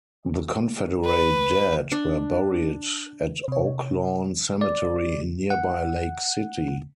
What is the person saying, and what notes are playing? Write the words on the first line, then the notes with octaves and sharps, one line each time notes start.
The Confederate dead were buried at Oaklawn Cemetery in nearby Lake City.
B4
D4
C3 C#5
D5
F#5